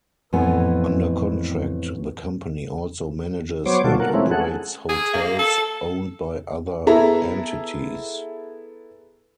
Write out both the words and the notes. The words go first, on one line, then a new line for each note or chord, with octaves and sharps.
Under contract, the company also manages and operates hotels owned by other entities.
F2 A2 E3 B3 G#5
F#3 B3 C5 C#5 D6
B2 D#3 G3 F4 F#4 A4
A#3 A#4 F#5
F3 G#3 A3 C4 C#4 E4
G#4 A4 F#5
G#4
A#3
A4
B3 E4 G#4 A4 E5 A#5